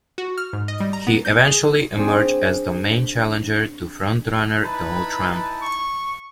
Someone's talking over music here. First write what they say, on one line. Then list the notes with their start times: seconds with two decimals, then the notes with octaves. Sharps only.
He eventually emerged as the main challenger to frontrunner Donald Trump.
0.18 F#4
0.38 F6
0.53 G#2
0.68 D#5
0.80 G3
0.93 A#5
1.07 B3
1.25 G6
1.47 G#4
1.97 C4 D4 G#4
4.63 D#4 E4 B4 A5
5.62 C#6